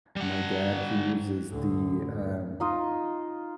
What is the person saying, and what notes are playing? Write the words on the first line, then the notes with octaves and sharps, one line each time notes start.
my dad, he uses the, um,
G3 F#5
D2 A2
D#4 F4 D#5